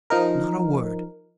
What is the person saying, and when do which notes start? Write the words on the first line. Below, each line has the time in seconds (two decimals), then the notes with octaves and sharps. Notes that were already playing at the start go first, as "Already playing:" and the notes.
Not a word.
0.10 F3 D#4 A#4